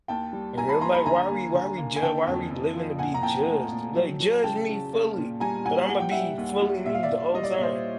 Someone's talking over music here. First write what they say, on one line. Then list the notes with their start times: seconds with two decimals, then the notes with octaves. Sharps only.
And they're like, "Why are we why are we ju why are we living to be judged?" Like, judge me fully, but I'm gonna be fully me the whole time.
0.08 D#2 G5 A5
0.33 G3
0.57 D#2 G#5 A#5
0.69 A5 B5
0.81 D#2 A#5 C6
0.94 A5 B5
1.06 D3 G#5 A#5
1.30 A#3
1.54 D3
1.78 A#3
1.96 G#5
2.02 D3 G5 A5
2.27 F2
2.50 F2
2.74 F3
2.99 A#2 F#5 G#5
3.14 A#5
3.23 A#2 G5 A5
3.48 A3
3.72 A#2
3.96 F#3
4.20 F#3
4.44 C#3 G5 A5
4.69 C#3
4.93 A#3
5.17 A#2
5.40 G3 G#5 A#5
5.65 A#2 F#5 G#5
5.89 G3 F#5
6.00 G5
6.11 G3 E5 F#5
6.38 D#2
6.62 G3
6.86 A#2 E5
6.95 F5
7.03 D5 E5
7.10 A#2
7.34 G3 D#5
7.44 D5
7.53 C#5
7.59 A#2 C5 D5